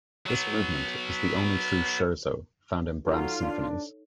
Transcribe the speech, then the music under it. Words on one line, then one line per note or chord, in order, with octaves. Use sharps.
This movement is the only true scherzo found in Brahms' symphonies.
F#3 B3
F#3 D#4 F4 A4 C#5
D4